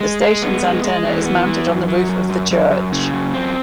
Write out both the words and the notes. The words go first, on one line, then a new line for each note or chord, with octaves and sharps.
The station's antenna is mounted on the roof of the church.
G#3
G#3
B3
G#3
G#3
E3
B3
E3
F#2
F#3
F#2
F#2
F#2
F#2
C#3
F#2
C4